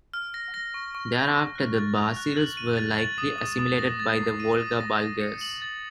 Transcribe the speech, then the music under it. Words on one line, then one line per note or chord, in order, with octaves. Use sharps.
Thereafter the Barsils were likely assimilated by the Volga Bulgars.
F6
A#6
A#6
C#6
C#6
A#6
A#6
F#6
A6
F7
F#6
F#7
D#7
A6
A6
D#6
D#6
D#6
A#6
A6
C7
D#7
D#6
A#6
A#6
C#7
F#7
A6